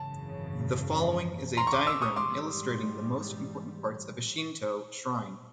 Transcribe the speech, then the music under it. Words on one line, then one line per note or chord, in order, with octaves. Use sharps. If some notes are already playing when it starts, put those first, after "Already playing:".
The following is a diagram illustrating the most important parts of a Shinto shrine.
Already playing: G#1 F#2 C#3 E3 A5
A#5 C6
C#6
C6 D6
D6 E6
C#6 D#6
G#2 E3 G3 C6 D6